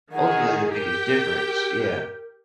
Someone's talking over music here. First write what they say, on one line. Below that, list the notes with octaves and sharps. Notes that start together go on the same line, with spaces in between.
ultimately, the biggest difference. Yeah,
D#3 G#4 F#5
G4 A#4 G5